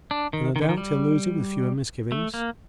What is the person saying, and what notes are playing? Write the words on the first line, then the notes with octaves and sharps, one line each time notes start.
So no doubt he'll lose it with fewer misgivings.
D4
D#3
D#3
D3
D#3
G3
A3
A#3